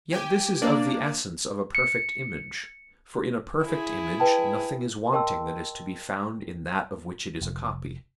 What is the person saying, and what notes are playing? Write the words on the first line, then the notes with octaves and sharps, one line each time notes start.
Yet this is of the essence of a perfect image; for in a perfect image nothing is wanting that is to be found in that of which it is a copy.
G4 G5 G#5
A#3 D4 D5
C#7
E4 G#4
B4 G5 A5
A#4 D#5 G5 A5 C6 E6
F1